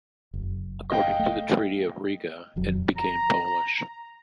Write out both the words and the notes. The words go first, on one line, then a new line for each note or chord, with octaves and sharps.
According to the Treaty of Riga, it became Polish.
F#1
D#5 F5 G5
A3
D#1 F2 F#3
A#5